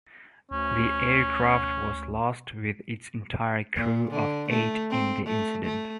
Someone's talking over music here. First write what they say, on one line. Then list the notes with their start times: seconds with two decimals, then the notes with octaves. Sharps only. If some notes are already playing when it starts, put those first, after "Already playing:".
The aircraft was lost with its entire crew of eight in the incident.
0.51 D2 C#4
3.76 A#2
4.11 D3
4.49 A3
4.90 C4
5.26 A3
5.64 A3